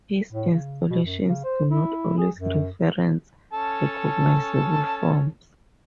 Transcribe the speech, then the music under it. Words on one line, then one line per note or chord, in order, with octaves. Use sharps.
His installations do not always reference recognizable forms.
A2
C#3
B2
F#2
C#3
C5
E4
G#4
F#2
C#4 A4 A5